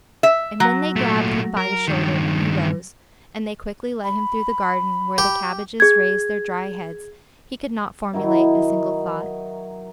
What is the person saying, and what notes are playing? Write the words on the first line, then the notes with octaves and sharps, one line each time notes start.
And when they grabbed him by the shoulder and he rose, and they quickly led him through the garden where the cabbages raised their dry heads, he could not formulate a single thought.
E5
F#3
A#2 A3
A#4
G2 D#3
B5
G4
G#4 G#6
D#3 F#3 D#4 E4